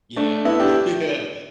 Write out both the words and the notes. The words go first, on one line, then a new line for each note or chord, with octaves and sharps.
Yeah. Yeah.
A3 D4
B3 E4
D4 G4